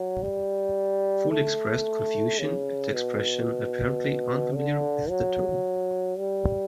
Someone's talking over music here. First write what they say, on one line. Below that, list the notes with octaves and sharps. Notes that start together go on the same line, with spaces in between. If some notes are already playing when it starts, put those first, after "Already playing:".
Fuld expressed confusion at the expression, apparently unfamiliar with the term.
Already playing: F#3
G3
A3
C#3
B2
D3
F#3
G3